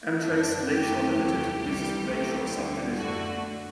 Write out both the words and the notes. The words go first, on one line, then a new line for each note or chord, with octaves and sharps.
Amtrak's "Lake Shore Limited" uses the Lake Shore Subdivision.
F#2 D3 G3 D4
F#2 F#3 A3 G4
E2 C3 F#3 A3 G4
C2 C3 E3 G3
D2 C3 F#3 A3
D2 D3 G3
F#2 D3 A3 F#4